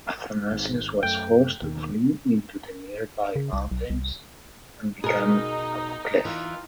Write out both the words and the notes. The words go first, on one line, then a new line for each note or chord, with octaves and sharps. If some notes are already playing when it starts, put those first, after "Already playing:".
Athanasios was forced to flee into the nearby mountains and become a klepht.
G#1 G#2
F#2 A3 G5
D#2 B2 D#3
C#3
C2
B1
C2
B2 D#4 G#4 A#4 D#5
E3 F4